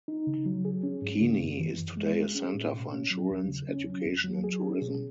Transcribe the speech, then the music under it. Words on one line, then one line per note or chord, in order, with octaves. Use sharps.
Keene is today a center for insurance, education and tourism.
D#4
C#3
F#3
G#4
C#4
G#2
C#3
F#2
E3
F#2
G#3
G#4
C#4
A2
B2
C#4
F#3
E2
C#3
C#4
F#3
E2
F#3
G#4
C#4
B2